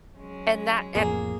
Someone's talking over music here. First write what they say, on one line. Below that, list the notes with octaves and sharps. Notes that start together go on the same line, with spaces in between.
And that and
F#3 G#3 C#4
A1 F2 A#3 G#4